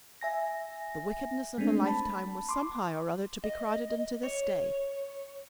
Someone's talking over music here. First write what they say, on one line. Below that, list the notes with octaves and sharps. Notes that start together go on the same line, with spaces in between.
The wickedness of a lifetime was somehow or other to be crowded into this day.
E5 G#5 A#6
G#3 A3 C4 D4
A5 B5
C6 D6
D#5
C#5